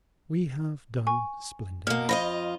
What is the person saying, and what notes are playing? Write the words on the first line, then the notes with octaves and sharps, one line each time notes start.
We have done splendidly.
G#5 C#6
B2 A#3 F6
F2 F4 D#5 B5 A#6